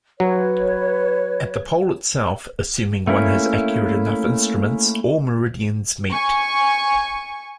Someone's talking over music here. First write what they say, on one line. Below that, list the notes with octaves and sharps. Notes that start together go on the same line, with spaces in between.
At the pole itself, assuming one has accurate enough instruments, all meridians meet.
F#3 B4 C#5
A3 A#3 C#4 E4
G#5 C#6